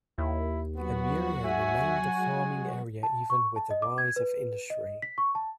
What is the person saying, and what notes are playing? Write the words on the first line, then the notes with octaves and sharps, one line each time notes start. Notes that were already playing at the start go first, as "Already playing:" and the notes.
Amurrio remained a farming area even with the rise of industry.
D#2 E4
F#3 B3 F#4
E5 G#5
G#3
A5
C#6
A5
D#5
D6
G#6
B4
D#5
B6
C#6
A5